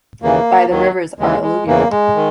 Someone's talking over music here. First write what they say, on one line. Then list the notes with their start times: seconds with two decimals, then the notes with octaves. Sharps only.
By the rivers are alluvial.
0.22 D#2 C#3 E3 A#3
0.70 D#2 D#3 F#3
1.19 D#2 C#3 E3 G#3
1.42 G#3
1.66 E2 C#3 E3 A#3
1.91 G#3
2.15 D#3